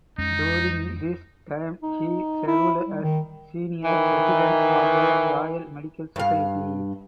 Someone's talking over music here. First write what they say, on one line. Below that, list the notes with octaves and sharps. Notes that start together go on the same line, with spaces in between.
During this time he served as senior president of the Royal Medical Society.
F2 G#3 C#4 D#4
D#4
E4
G3
D#3
D#3 E3
G2 F5